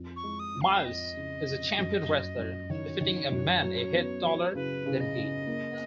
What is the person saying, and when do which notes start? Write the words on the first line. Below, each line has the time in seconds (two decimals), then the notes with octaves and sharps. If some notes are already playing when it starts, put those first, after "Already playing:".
Myles is a champion wrestler, defeating a man a head taller than he.
Already playing: F2
0.16 C#6
0.24 G#3
0.40 D#6
0.55 F2
0.61 F5
0.85 F2 D#5
1.16 C#3
1.46 F2
1.78 F#2
2.08 F#2
2.39 F#2
2.70 D#3 C#5
3.01 D#3
3.32 F#2
3.63 F#3
3.93 B3
4.24 F#3
4.55 C#3 B4
4.86 C#3
5.00 D#5
5.17 C#3
5.47 A#3